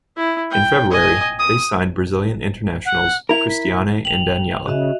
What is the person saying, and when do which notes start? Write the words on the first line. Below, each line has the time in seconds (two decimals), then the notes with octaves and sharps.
In February, they signed Brazilian internationals Cristiane and Daniela.
0.17 E4
0.51 G5
0.90 D#5 G#5
1.39 D#6
2.85 F#5
3.29 E4 A#4 F7
3.50 B6
4.05 G5 F7 F#7
4.67 C#3 F#4 D#5 E5